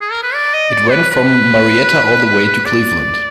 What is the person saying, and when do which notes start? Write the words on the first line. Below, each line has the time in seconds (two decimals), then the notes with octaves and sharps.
It went from Marietta all the way to Cleveland.
0.01 G#4
0.12 A#4
0.23 B4
0.34 D5
0.54 D#5
0.72 D5
0.91 B4
1.11 B4
2.65 D5